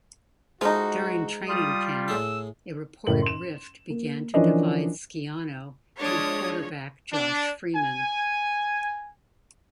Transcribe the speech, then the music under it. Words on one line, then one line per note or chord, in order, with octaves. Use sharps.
During training camp, a reported rift began to divide Schiano and quarterback Josh Freeman.
F3 G#3 D#4 E4 F#4 A4
G3 F4 D#6
A2 G#4 A4 E6
F#1 A2 A#4 F#7
C6 E7
A#3
E3 F3 C#4 D4 A#4 D#5
F3 G#3 D4 C#5 D#6
D4
G#5